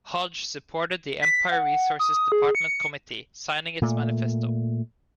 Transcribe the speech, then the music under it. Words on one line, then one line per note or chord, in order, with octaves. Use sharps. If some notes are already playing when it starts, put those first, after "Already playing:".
Hodge supported the Empire Resources Department Committee, signing its manifesto.
B6
F#5
D#6
G#4
C#7
A#2 A3